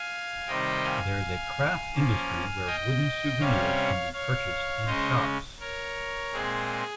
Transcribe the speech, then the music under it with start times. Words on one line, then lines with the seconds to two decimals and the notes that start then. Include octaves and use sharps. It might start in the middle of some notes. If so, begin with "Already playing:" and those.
There is a craft industry where wooden souvenirs can be purchased in shops.
Already playing: F5 G#5
0.47 C3 D#3 G3 C4 D#5 G5
0.84 F5 G#5
1.94 F3 A#3 C#4
2.66 D#5 G5
3.40 C3 G3 C#4 C#5 F5
4.13 C#5 F5
4.86 C#3 G#3 C#4 C5 D#5
5.59 A#4 C#5
6.32 A#2 G#3 C4 G#4